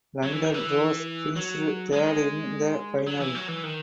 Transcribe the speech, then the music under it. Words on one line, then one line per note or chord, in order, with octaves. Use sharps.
London Roar finished third in the final.
F#3
E3
D#3
E3
F#3
G#3
F#3
E3
F#3
E3
D#3